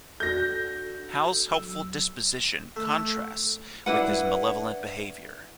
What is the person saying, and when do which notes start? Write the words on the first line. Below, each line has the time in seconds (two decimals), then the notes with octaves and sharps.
Hal's helpful disposition contrasts with his malevolent behaviour.
0.20 D4 F#4 A4 G6 A#6
1.51 F#3 E6
2.76 A3
3.86 D4 E4 B4 F#5